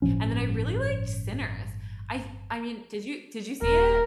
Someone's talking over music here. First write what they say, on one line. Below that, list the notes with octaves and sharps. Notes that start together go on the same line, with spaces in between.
And then I really liked Sinners, I th I mean, did you did you see it?
G1 A2 F3 C#4
D#1 A#4